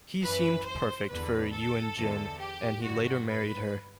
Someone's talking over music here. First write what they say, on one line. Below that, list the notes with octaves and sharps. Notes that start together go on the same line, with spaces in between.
He seemed perfect for Eun-jin and he later married her.
F#2 E3 B4
C5
E2 D3 B4
A4
E2 D3
G4
G2 D3 F#4
B4